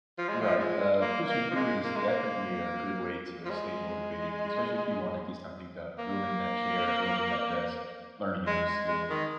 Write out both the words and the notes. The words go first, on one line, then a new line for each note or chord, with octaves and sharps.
Right, uh, pushing through it is definitely a good way to stay motivated, especially if you wanna get something done: building that chair, building that desk, learning a new skill.
F3
G#3
F3
G#3
A#3
A#3
F3
G#3
A#3
G#3
A#3
F3
G#3
A#3
G#3
G#3
G#3
D#3